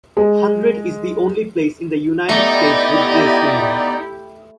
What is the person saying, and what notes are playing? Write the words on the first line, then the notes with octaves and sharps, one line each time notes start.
Hundred is the only place in the United States with this name.
G#3
A3 B3 D#4 E4 G4 D5